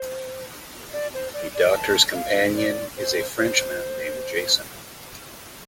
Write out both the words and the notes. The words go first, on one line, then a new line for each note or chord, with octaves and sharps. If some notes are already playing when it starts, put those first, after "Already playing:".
The Doctor's companion is a Frenchman named Jason.
Already playing: C5
D5
C5
D5
D5
A5
D#5
F5
D5
C5
C5